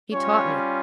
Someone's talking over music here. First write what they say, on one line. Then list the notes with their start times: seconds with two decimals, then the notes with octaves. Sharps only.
He taught me.
0.12 G3 C#4 F4 C#5